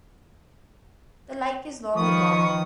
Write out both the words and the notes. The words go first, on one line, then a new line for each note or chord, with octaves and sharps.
The lake is long and wide.
D#3 F3 B4 C#6 D#6